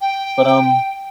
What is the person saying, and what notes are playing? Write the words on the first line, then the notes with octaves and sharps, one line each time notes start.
But, um,
G5